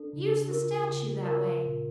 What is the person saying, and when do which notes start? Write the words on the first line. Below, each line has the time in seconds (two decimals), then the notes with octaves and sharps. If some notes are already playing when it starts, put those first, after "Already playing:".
"Use the statue that way."
Already playing: D4 A4
0.13 C#3
0.51 F4 A#4
0.89 C#3
1.27 F4 A#4
1.66 A#2